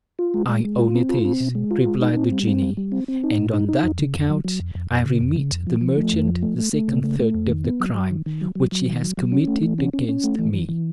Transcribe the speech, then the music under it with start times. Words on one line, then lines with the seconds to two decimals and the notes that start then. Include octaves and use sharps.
"I own it is," replied the genie, "and on that account I remit the merchant the second third of the crime which he has committed against me."
0.19 F4
0.34 G#3
0.49 G#3
0.65 G#3
0.79 F4
0.95 C4
1.09 F4
1.25 C4
1.40 B2
1.55 G#3
1.71 F4
1.86 G#3
2.01 D#4
2.16 C4
2.31 G3
2.47 C4
2.62 G3
2.77 G3
2.92 C4
3.08 C4
3.24 D#4
3.38 A#2
3.54 D#4
3.69 D#4
3.84 F2
3.99 C#3
4.15 F2
4.30 F#3
4.44 F#3
4.60 F2
4.75 F2
4.91 F2
5.06 C#3
5.21 F2
5.36 C#3
5.51 F2
5.67 F3
5.81 F3
5.97 A3
6.13 F2
6.28 F3
6.42 A3
6.58 A3
6.73 A3
6.88 C#3
7.04 A3
7.20 A3
7.34 F2
7.49 D#3
7.64 B3
7.80 F#3
7.95 F#3
8.11 D#3
8.26 D#3
8.41 F#3
8.55 F#3
8.72 F#3
8.86 D#3
9.02 F#3
9.17 F#3
9.32 C#4
9.47 A3
9.63 E3
9.78 C#4
9.94 C#4
10.09 C#4
10.24 A3
10.39 E3
10.54 E3
10.69 E3